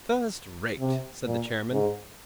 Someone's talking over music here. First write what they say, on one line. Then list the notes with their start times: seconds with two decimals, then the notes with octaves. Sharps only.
'First-rate!' said the Chairman.
0.80 C3
1.26 A#2
1.72 G#2